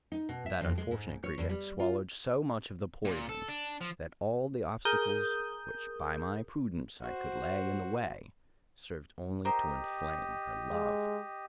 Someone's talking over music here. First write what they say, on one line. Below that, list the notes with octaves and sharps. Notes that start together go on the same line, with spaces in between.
But that unfortunate creature had swallowed so much of the poison, that all the obstacles which by my prudence I could lay in the way served only to inflame her love.
D#4
B2
E5
F2
G#3
G#2
C#5
E2
G3
F4
A#2
A4
D4
F3
G#4 A#4 D#6 G6
F#4 C5
G4 A#4 C5 D#5
G#3